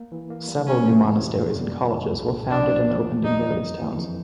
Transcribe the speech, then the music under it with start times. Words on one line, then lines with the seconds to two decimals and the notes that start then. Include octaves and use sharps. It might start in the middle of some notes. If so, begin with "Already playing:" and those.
Several new monasteries and colleges were founded and opened in various towns.
Already playing: A#3
0.12 E3
0.30 A#3
0.48 G3
0.67 C3 C#4
0.85 E3
1.03 F2
1.22 C3
1.40 F#2
1.58 G3
1.76 A#3
1.95 D3
2.13 C2
2.32 A#2
2.50 F3 D4
2.68 F3
2.87 E2
3.04 E2
3.23 G3 D#4
3.41 G3
3.59 F2
3.78 E3
3.97 F2